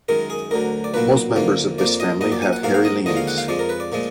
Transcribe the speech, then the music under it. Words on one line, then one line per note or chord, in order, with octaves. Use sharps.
Most members of this family have hairy leaves.
F#2 D#3 G#3 A#4
G#4
D2 D3 F#3 A#4
D5
B1 A#2 F#3 A#3 B4
F#2 D3 F3 A#3
F2 F3 A#3 D5
D#5
A#1 A#2 F#3 D#5
D5
G#5
F#5
G#2 F#3 A#3 F5
F5
D#5
D#2 D3 F3 G#3 D#5
F5
F#5
F5
F2 F3 G#3 D5
A#4
B4
D5
A#2 F3 G#3